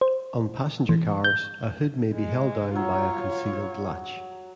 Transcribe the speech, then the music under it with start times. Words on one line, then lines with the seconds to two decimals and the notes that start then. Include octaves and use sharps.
On passenger cars, a hood may be held down by a concealed latch.
0.01 C5
0.89 E3
1.24 G6
2.13 G#3
2.76 F#3 F4 C#5